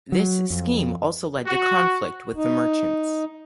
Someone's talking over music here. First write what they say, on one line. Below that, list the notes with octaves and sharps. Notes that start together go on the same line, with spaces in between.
This scheme also led to conflict with the merchants.
F#3
F2
F#4
D#4